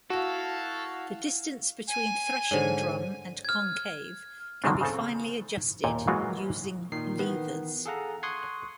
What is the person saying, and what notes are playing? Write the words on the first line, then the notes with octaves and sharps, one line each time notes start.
The distance between threshing drum and concave can be finely adjusted using levers.
E4 F#4 A4 F5
G#5
G#2 D3 C5 C#5
F6 G#6
D3 D#3 F3 F#3 C4 D4
C#3 C4 A4
D#2 A#2 C#5 G5
E3 F#3 G#3 A#3 F4 F#4
A#2 D#3 C7
D#3 E3 B3 B4
G#4 A4 F5 F#5 A#5
C6 C#6 D#6 F#6 G#6 C7